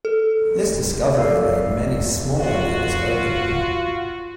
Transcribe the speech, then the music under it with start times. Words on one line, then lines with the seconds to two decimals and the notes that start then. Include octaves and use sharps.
This discovery laid many smaller matters open.
0.05 A4
1.17 A4 D5 F5
2.40 F4 F#4